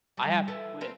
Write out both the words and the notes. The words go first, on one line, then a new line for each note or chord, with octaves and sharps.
I have to quit.”
G3
E4 A4 B4
C4 A#4 B4